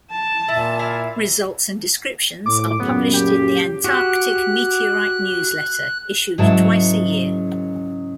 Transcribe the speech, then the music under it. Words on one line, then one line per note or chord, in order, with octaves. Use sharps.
Results and descriptions are published in the Antarctic Meteorite Newsletter, issued twice a year.
A5
A#2 E4
E4 E5 F5
A2 D6
F#2 A#2 C#3 B3
G4
F#4 G4 F#6
G#2 C#3 F#3 E4 A#4 A5